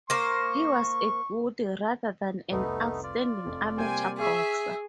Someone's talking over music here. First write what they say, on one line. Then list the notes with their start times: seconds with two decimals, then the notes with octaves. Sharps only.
He was a good rather than an outstanding amateur boxer.
0.10 A#3 C5 C#6
2.51 F1 C2 A3 B3 D#4 B4
3.03 F4 D5
3.46 F1
3.78 C3 G3 A#3 C5 G5 G#5
4.20 G#4 E5 C#6